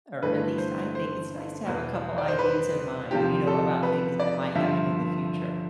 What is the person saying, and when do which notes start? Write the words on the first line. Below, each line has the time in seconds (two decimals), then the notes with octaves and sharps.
or at least, I think, it's nice to have a couple ideas in mind, you know, about things that might happen in the future.
0.22 G1 G2 E3 A3 B4
0.58 C5
0.95 C5
1.66 E2 B2 B3
2.18 D5
2.28 C5
2.39 B4
3.11 E2 C3 F3 G4
3.47 A4
3.83 B4
4.20 D5
4.55 G1 G2 F3 E5